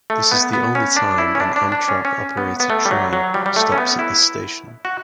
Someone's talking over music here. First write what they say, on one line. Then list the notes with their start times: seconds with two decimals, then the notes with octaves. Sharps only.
This is the only time an Amtrak operated train stops at this station.
0.10 A3
0.31 B3
0.53 B3
0.75 C#4
0.96 D4
1.18 E4
1.35 C#4
1.40 D4
1.56 D4
1.72 D4
1.88 C#4
2.05 C#4
2.37 B3
2.60 B3
2.70 A3
2.85 G3
2.91 F#3
3.13 F#3
3.34 G3
3.46 G3
3.56 A3
3.72 C#4
3.78 B3
3.99 E4
4.85 F#4